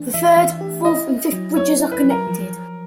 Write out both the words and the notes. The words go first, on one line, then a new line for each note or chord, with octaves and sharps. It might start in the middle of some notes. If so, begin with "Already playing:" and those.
The third, fourth and fifth bridges are connected.
Already playing: E3 A3 D4
E3 E5
E3
G4
E4 D#5
E4
F#3
E4 C#5
E4
B4
F#3
A#4
F3